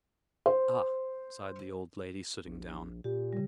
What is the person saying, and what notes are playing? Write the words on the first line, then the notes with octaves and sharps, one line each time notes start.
"Ah," sighed the old lady, sitting down.
C5
A#1
A#2 G4
C#3 G3